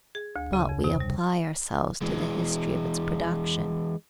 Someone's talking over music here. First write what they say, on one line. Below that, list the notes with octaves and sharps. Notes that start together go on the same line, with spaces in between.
But we apply ourselves to the history of its production.
G#4
D2
C#3
F2
C3
G3
E3 G#3